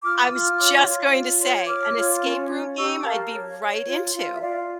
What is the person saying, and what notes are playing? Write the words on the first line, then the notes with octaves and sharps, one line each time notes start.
I was just going to say an escape room game I'd be right into.
F4 D6 F6
F4 D6 F6
C#5
F4
F4
C#5
C#5 D6 F6
F4
C#4
C#4
G4 C#6 E6
A#4 F5 A5
C#5
C#5
F4
F4
E5
F4 D5 F5